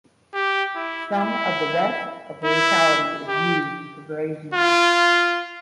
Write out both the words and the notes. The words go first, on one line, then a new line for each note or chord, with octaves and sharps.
Some of the west of the locality is used for grazing.
G4
E4
E4
E4
G4
F4